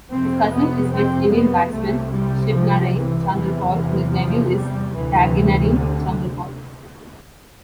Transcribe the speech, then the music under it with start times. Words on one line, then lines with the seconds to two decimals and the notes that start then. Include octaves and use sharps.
His cousin is West Indian batsman Shivnarine Chanderpaul and his nephew is Tagenarine Chanderpaul.
0.11 F2 C3 C4
0.52 B3
0.92 C4
1.32 B3
1.72 C2 C3 A3
2.13 G3
2.52 F3
2.93 E3
3.33 E2 C3 E3
3.73 E3
4.14 F3
4.54 G3
4.94 D2 C3 E3
5.74 D3